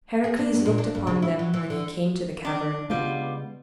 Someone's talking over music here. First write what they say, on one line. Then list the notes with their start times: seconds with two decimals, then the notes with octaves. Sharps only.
Heracles looked upon them when he came to the cavern.
0.24 G#4
0.39 D4
0.54 F#2
0.65 A#2
0.78 D4
0.95 G2
1.07 C#3
1.22 E4
1.39 F#3
1.54 E3
1.70 D3
2.45 D4
2.90 C#3 G3 G#3 B3 F4